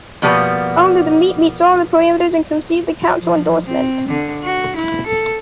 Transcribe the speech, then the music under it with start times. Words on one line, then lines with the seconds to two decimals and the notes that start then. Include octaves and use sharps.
Only the meat meets all the parameters and can receive the Council endorsement.
0.22 B2 F3 G3 A#3 B3
3.19 F3
3.66 C4
4.08 D3
4.43 F#4
4.76 E4
5.07 A4